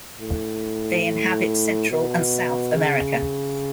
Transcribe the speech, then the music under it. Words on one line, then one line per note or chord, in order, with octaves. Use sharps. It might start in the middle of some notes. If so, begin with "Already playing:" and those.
They inhabit Central and South America.
A2
B2
C#3